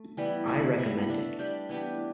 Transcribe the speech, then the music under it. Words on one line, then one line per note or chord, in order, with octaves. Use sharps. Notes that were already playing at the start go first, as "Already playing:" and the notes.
I recommend it.
Already playing: A3
E3 G3 B3
A3 E4 B4
G3 B3 E4
A3 D4 A4
G3 D4 G4 B4
E3 B3 D4 G4